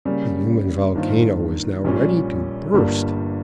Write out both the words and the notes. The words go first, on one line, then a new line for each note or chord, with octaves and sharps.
The human volcano was now ready to burst.
C#3 G3 A#3 C#4
G2 D#3 A#3 F4 C5
A#1 A#2 G3 C#4
G1 G2 G3 A#3